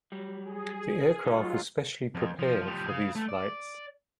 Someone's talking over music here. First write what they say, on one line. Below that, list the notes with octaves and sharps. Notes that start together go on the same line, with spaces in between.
The aircraft was specially prepared for these flights.
F#3 G3
G#4
F#3 D#4 F4 G#4
F2
F3
F3 G3
G#4 F5
A3
D5